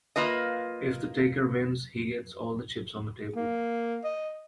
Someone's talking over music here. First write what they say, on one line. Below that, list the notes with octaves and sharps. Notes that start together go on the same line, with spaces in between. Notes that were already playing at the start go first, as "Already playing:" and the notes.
If the taker wins, he gets all the chips on the table.
A#3 F4 B4 D#5
A#3
D#5